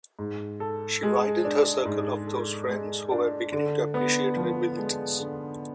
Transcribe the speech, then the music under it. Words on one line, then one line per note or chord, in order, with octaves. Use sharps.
She widened her circle of those friends who were beginning to appreciate her abilities.
G#2
A4
G#3
D4
G#2
A4
G#3
D4
D3
B3
F3
G#3
D3